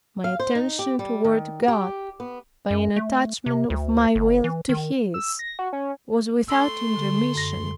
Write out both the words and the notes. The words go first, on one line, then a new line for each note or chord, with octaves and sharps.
My attention toward God, by an attachment of my will to His, was without intermission.
F5
C5
D#4
G4
G3
D#3
G4
B3
F#2
A3
C3
D2
G1
E3
D#3
E6
A#6
F#4
C#4
A3 C6 E6
D3
F#2 A#6